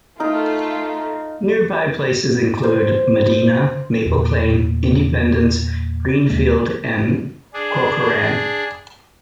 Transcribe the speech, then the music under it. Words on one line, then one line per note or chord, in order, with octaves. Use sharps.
Nearby places include Medina, Maple Plain, Independence, Greenfield, and Corcoran.
A3 D#4 F4 A#4
C5
E2 A#2
D#2 B2 G#3 A#3
D4 G#4